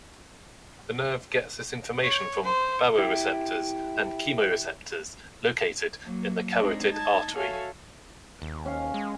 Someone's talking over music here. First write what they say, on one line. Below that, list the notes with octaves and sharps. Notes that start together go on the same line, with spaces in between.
The nerve gets this information from baroreceptors and chemoreceptors located in the carotid artery.
C#5
C5
E4 G4
F#3 A#3
G#3 C4 D4 D#4
D#4 A5 G#6
F#4 A4 C#5 E5 F5 G#5
D#2
C#4 F5
G#3